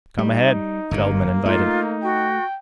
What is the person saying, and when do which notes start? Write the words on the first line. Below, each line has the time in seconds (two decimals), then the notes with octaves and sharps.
"Come ahead," Feldman invited.
0.18 G3 D#4
0.91 G1 G2 C#3 A#3
1.46 A3 D#4 F4
2.03 F#4 G5